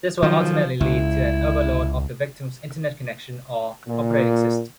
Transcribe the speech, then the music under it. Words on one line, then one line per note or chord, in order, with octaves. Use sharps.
This will ultimately lead to an overload of the victim's internet connection or operating system.
D#3 F3 F#3
C#2 E4
A#2